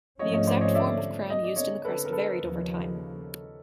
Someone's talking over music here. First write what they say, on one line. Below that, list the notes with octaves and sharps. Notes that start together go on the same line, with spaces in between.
The exact form of crown used in the crest varied over time.
G#2 F3 A3 C#4 C#5 D#5
C#5 D#5
C5 D5
C#5 D#5
D5 E5
D#5
D5
C#5 D#5
A4 B4
A#4
A4 B4
D#2 C#3 F3